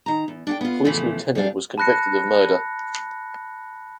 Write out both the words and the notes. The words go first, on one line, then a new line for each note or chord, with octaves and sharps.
A police lieutenant was convicted of murder.
D#3 A#5
E2
D4 F#5 G5
B3 F4
E2 A2 C#3 E3 F3
F#2 G3 D4 F5
A5 B5 F#6 A#6 C#7